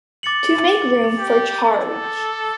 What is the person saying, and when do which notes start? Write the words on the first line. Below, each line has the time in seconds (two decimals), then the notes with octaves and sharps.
To make room, for Charge!
0.23 D6 A6 C#7 F#7
1.18 G4
1.66 A4